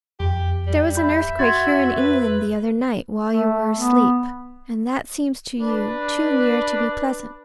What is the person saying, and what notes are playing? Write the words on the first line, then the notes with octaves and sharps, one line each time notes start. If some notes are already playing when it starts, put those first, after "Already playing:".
There was an earthquake here in England the other night, while you were asleep; and that seems to you too near to be pleasant.
F2 G4
G3
E5 B5 G6
F#4 C6 G#6 A6
B4
A3
B3
D4 B4